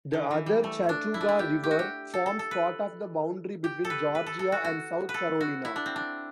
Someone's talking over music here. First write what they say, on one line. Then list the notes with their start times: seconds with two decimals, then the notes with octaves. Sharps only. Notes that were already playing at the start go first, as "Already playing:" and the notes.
The other Chattooga River forms part of the boundary between Georgia and South Carolina.
0.13 D3
0.31 E3
0.46 G3
0.64 A3
0.89 D4
1.14 E4
1.21 D4
1.29 E4
1.39 G4
1.64 G4
1.71 F#4
1.79 G4
2.14 A4
2.26 A4
2.39 A4
2.51 B4
3.64 G4
3.85 A4
3.90 B4
4.15 B4
4.26 A4
4.39 A4
4.52 F#4
4.64 F#4
5.09 B4
5.14 A4
5.40 F#4
5.65 E4
5.76 D4
5.86 C4
5.96 D4